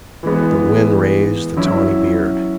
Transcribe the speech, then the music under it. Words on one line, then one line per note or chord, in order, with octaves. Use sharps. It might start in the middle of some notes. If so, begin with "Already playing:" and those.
The wind raised the tawny beard.
E3 G#3 B3
F#3 C#4 E4